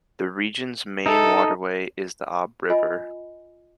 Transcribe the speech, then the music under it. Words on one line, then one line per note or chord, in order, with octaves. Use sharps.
The region's main waterway is the Ob River.
D#4 A4 E5
F4 D#5 G#5 B5